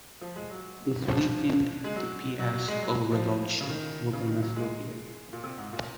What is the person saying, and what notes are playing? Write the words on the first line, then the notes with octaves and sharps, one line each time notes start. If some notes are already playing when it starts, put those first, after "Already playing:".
This weakened the Piast overlordship over Masovia.
F3
G#3
F#3
F3
G#3
F#3
F#3
F#3
G#3
F#3
F3
C#3
D#3
C#3
D#3
F#3
G#3
A#2
C3
G#2
A#2